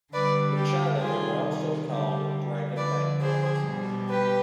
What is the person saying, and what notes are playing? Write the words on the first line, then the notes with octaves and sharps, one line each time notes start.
In China, they were also called "dragon backbones".
D3 G3 B4 D5
G4
C3 D#3 G3 F4 G#4
D3 G3 G4
D3 F3 B4 D5
G#4 C5
B2 G3
G4 B4